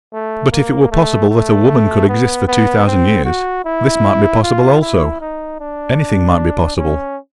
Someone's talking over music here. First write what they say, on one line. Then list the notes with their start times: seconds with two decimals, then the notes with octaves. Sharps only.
But if it were possible that a woman could exist for two thousand years, this might be possible also--anything might be possible.
0.13 A3
0.52 A#3
0.91 A3
1.30 A3
2.09 B3
2.48 B3
2.87 C4
3.25 F#4
3.65 E4
4.42 F4
4.81 E4
5.21 D#4
5.60 D4
6.77 C#4